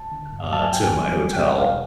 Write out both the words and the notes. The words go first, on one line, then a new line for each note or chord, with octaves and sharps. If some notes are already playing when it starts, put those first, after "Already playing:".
uh, to my hotel,
Already playing: A5
D3
G2
F#3 A5
G#5
F#3 G5
G#5
G3
G3
B2 G5
F#5
E2
F5